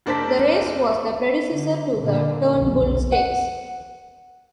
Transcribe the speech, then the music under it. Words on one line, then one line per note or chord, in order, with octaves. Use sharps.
The race was the predecessor to the Turnbull Stakes.
F#1 D4 A#4 C5 A5 B6
C#6
D3
A#2 D3 A#3
F1 B1
F#5